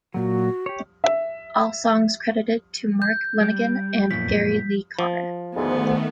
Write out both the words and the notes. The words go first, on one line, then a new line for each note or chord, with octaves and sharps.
All songs credited to Mark Lanegan and Gary Lee Conner.
A#2 F#3 F#4
G4 C#5
E5
G6
G3
F#2 A#2 F3 B6
F3
D2 G#2 D#3 A3 B3